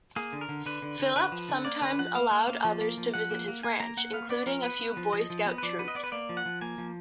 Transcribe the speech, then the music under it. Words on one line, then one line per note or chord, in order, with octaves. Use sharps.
Phillips sometimes allowed others to visit his ranch, including a few Boy Scout troops.
A#3 G#4
D3
A#4
D3
D3 B4
D3
D3
D3 B4
F3
D3
A#3 D5
D3 B4
F3 F#5
A#3 F5
A#3
A#3
F3
A#3
F3
F3 F#5
A#3
A#3
A#3 G#5
A#3 A#5
A#3 F#5
B3 F5
B3 D5
F3 A#4
B3 B4
B3
F3
F3 D#5
F3
B3
B4
F3 D5
B3 B4
D#5
B3 D5
B4
A#3 D5
F3
F#5
F3
A#3 G#5
F3